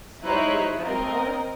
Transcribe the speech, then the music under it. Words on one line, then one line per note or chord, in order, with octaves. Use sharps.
Smudgy with gunpowder?
D#4 E4 C5 C#5 E5 F#6
C4 A#4 D#5